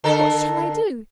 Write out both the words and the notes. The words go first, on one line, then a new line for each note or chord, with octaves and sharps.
What shall I do?
D3 A4 A#4